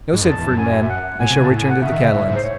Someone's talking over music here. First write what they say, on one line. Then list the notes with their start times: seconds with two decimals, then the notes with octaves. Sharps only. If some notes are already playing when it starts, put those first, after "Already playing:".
"No," said Fernand; "I shall return to the Catalans."
0.13 G#2
0.21 F#2
0.28 E2 A5
0.38 E2
0.48 F#2
0.58 G#5
0.82 E5
0.89 F#5
1.20 A2 G#5
1.30 C3
1.40 C#3
1.44 A5
1.51 A2
1.57 G#5
1.69 F#5
1.82 C#3 E5
1.92 D#3
2.01 C#3
2.13 A2
2.28 G#2
2.36 C5
2.43 C#5